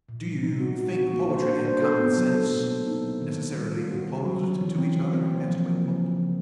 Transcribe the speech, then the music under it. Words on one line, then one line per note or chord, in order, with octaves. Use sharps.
"Do you think poetry and common sense necessarily opposed to each other?" asked Wingfold.
A#2
G3
D#4
F#4
F#4
F#4
A#3
C5
D4
C5
A4
B3
F#3
A4
B2
A#3
D#4
F#3
D#3
D#3
G3
F4
F#4
F#4
F#3
F#3
E3
C4
E3
C4
A#3
F3
A#3
C#3
F3
F3